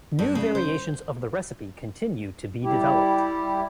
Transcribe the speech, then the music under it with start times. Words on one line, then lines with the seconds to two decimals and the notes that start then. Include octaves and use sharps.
New variations of the recipe continue to be developed.
0.19 G2
0.35 C#3
0.55 C5
2.63 G3 E4 G4